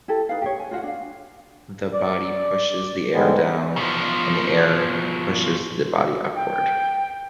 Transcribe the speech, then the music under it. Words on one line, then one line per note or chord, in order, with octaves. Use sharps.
The body "pushes" the air down, and the air pushes the body upward.
E4 G4 A4
D#4 B4 F5
G4 C#5
G#5
F4 F#4 F5 F#5
D4 F5
D5
G#2 D3 G3 G#3 B3
B2 F3
G5